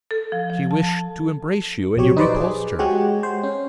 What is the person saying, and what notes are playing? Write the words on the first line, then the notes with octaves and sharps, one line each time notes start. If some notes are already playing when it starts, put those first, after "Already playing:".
"She wished to embrace you, and you repulsed her."
A4
F3
F3
A5
A#1 F#3 G4 C#5
D#4 B4 C5 D5
G#4
G#3 F#4 G4 C#5
C5
C#4